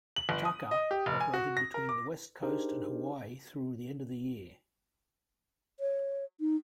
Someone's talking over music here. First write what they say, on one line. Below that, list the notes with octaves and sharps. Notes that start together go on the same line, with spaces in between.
"Tucker" operated between the West Coast and Hawaii through the end of the year.
F#7
G1
D#6
D#5
G4
F1
G#5
F#4
A#6
A#4
D6
D4 D#4 G4 G#4 A#4 C5
C#5
D#4